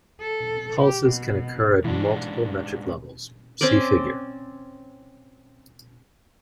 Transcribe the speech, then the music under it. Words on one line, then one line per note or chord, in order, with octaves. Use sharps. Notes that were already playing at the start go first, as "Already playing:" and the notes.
Pulses can occur at multiple metric levels - see figure.
A4
G4
B2
G#2 B2 E3 D4 E4
C4 C#4 C5 D5